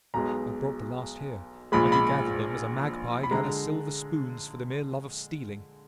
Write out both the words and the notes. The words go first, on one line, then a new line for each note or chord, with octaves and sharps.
I brought the last here--and you gathered them, as a magpie gathers silver spoons, for the mere love of stealing!
B1 B2 G#3 A#5
A#1 A#2 G#3 B5
B5
B5
D3 G#3 A#5